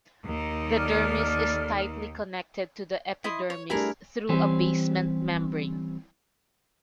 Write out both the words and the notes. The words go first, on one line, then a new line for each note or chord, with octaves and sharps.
The dermis is tightly connected to the epidermis through a basement membrane.
D#2 D#3
A4 D5 F6
E4 D#5 C6
C#5
G3 A3 D4 E4 G#4 A#4
E3 G3 C4 C#4 G4 C5